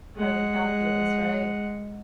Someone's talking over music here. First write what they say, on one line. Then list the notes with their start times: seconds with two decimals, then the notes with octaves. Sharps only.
part of the calculus, right.
0.16 G#3 F#5